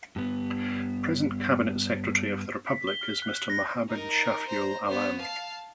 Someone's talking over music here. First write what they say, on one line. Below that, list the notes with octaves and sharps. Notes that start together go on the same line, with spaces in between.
Present Cabinet Secretary of the Republic is Mr. Mohammad Shafiul Alam.
G2 B3
B6
G7
F6
F#6
A#6
D#4 A#4
C5 A#5
B3 C5
F5 A5